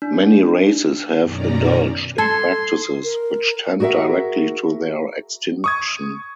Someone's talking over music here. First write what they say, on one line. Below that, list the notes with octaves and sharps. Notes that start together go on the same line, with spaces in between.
Many races have indulged in practices which tend directly to their extinction.
D4
F#2 B2 D#3 C#4 D5 A#5
A4 C6 G#6
A#4
F#4 G#4 A#4 D5 E5 F#5
C#6 D#6 G#6